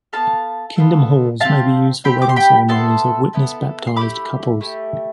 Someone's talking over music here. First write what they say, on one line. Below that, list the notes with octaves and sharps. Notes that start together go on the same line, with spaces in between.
Kingdom Halls may be used for wedding ceremonies of Witness-baptized couples.
B3 F4 A4 F5 A5
B3 F4 A4
C4 G4 F5 A5
C4 G4 G5 B5
D6
C6
G5 B5
B3 E4 A4 A5 C6
B3 E4 A4
C6
A3 E4 G4 B5 D6
A3 E4 G4